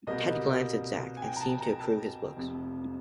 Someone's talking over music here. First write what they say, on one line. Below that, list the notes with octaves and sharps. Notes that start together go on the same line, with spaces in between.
Ted glanced at Zack and seemed to approve his looks.
C2 B2 G3 A#3 D#5
G#5
G5
A#5
A5
A#5
A5
F1 F2 C3